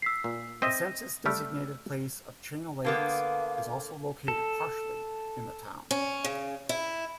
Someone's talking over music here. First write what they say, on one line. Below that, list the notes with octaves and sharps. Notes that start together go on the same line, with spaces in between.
The census-designated place of Chain O' Lakes is also located partially in the town.
E6 B6 C7
A#2
C4 D#5 E5 A#6 D#7
G3 A3 G4 E6 F6
D3 A#3 B3 F5
A4
C#4
C#3
E4